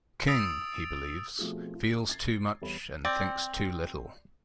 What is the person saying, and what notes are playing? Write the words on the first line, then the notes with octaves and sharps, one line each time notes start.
King, he believes, "feels too much and thinks too little".
D#6 E6 A6 D7 F7
B2 F3 A3 C4 F4 G#4
F4
G#6 A6 C7
E2 G3 C#5 B5
C4 D5